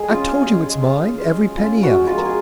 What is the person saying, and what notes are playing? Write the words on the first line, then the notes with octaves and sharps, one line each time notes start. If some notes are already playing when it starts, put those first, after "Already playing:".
"I've told you it's mine, every penny of it!"
Already playing: G#3 G#4
C#4 F4
F4
G#3
G#3
C#4
F4
G#3
G#3
C#4 F4
F4
F#4
G#3
F4
G#3 A#4
G#4